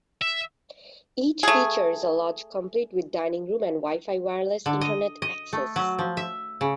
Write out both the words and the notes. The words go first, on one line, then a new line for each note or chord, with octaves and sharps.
Each features a lodge complete with dining room and Wi-Fi wireless Internet access.
E5
A3 G#4
D3
D#5
D#5
A3
F#3
F3
E5
C#3